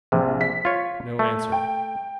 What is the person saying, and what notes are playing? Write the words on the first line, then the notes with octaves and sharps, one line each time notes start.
No answer.
A#1 C3
B6
F4 C#5
A3
G5